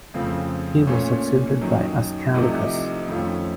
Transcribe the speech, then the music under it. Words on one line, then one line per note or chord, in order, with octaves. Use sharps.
He was succeeded by Askericus.
F2 C#3 A3 C4 F4
A#2 A3 C#4
F#2 D#3 F#3
C2 C3 F3 A3 D#4
F2 D#3 A3 C#4 F4